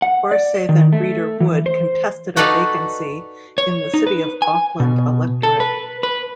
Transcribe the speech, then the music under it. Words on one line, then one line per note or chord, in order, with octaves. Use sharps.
Forsaith and Reader Wood contested a vacancy in the City of Auckland electorate.
F#5
D5
D#3
A3
E3
C5
D#4 F#4 A4 B4 D5 F5
C#5
D#4
B4
G#5
B2
A4
B4
B4